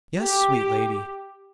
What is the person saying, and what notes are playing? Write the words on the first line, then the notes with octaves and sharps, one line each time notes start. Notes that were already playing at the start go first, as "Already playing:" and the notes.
"Yes, sweet lady."
G4